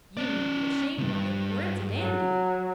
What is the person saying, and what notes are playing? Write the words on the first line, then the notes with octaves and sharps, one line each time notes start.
You needn't be ashamed of it, for it's a dandy.
C#4 D5
C#2 G2
F#3